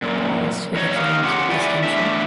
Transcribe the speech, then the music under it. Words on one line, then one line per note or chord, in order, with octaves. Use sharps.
He passed his exams with distinction.
F#2 A#2
E2 D#4 C#5
D#3 D#4 G4 F5
C#3 C#4 F4 G4 F#5
E4 G4 D5 E5 F#5 G#5
E2 A2 D4 E5